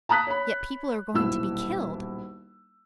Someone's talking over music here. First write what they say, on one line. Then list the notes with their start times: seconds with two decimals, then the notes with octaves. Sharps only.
Yet people are going to be killed.
0.09 A5 A#5 D#6 F#6 B6
0.27 C#5 B5
1.14 D#1 B1 E4 E6